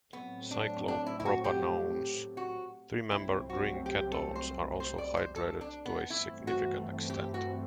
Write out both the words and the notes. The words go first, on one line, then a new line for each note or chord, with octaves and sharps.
Cyclopropanones- three-membered ring ketones- are also hydrated to a significant extent.
A2 F#3 A3 B3 C4
D4
D4
E4
E4
F#4
G4
F#4
C2 C3 F#3 A3 C4 E4
F#4
G4
A4
C5
C5
D5
C5
A4
D4
B3
G2 E3 A3 C4 E4
F#4
G4
F#4